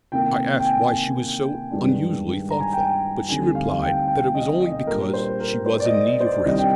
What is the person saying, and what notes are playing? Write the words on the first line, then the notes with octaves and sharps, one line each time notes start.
I asked why she was so unusually thoughtful, but she replied that it was only because she was in need of rest.
C3 D#3 A#3 G5
G5
G#5
G2 D#3 G#3 D4
A#5
G#5
G5
G#5
D2 D3 G3 C4 D#4 G#5
F5
G5
G5
D#5
D#5
A#2 G3 D4 A#4
C5
A#4
C5
D5
D#5
D#5
C5
D5
C2 C3 D#3 G3 D4 D#5
G5